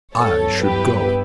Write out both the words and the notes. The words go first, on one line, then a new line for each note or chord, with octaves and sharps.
"I should go."
G2 F#3 B3 E4 A4 C#5
G4 B4